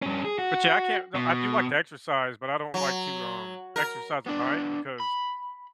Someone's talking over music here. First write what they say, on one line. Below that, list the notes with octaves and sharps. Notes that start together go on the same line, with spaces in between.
But yeah, I can't no, I do like to exercise, but I don't like to, um, exercise at night because
G2 C#4
G#4
F#4
B2
F#3
A#4
B3 D4
B5